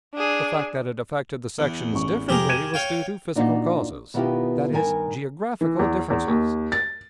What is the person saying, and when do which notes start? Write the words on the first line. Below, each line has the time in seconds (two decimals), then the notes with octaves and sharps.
The fact that it affected the sections differently was due to physical causes--that is, geographical differences.
0.14 D4 G#4
1.59 E2
1.93 A1 C#6
2.29 F2 C3 G4 G#4 A#4
2.49 G#6 D#7 E7
2.74 C#5 F5 G5
3.35 A#2 D4 D#4 F4 F#4
4.14 B2 D#3 B3 E4 F4 G4
4.72 G2 D#3 A#4 G#5
5.61 E3
5.79 E2
6.10 E2
6.28 D#2
6.72 A6